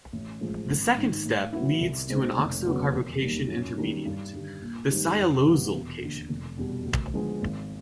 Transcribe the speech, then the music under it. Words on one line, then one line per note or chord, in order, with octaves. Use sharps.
The second step leads to an oxocarbocation intermediate, the sialosyl cation.
A1
A2 F3 G#3
G#1
G#2 D#3
A2
F#3 B3 E4
C2
B2 G#3 C4 D#4
F1
D#2 C#3 F#3 B3
E1
D#2 D#3 G3
F#2
D#3 G3 A#3 C#4
G2
D3 G3
A#1
G#2 D#3 G3 C4
F2
C3 E3 G3 B3
E1
D#2 D3
F1
E2 B2 G3
D2
D3 F3 G#3 B3
G#1